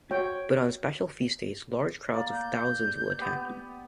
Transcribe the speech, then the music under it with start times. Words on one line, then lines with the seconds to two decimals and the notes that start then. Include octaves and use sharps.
But on special feast days, large crowds of thousands will attend.
0.11 F#4 C#5 G5
2.14 A#3 D5
2.32 G6
3.19 B3 G4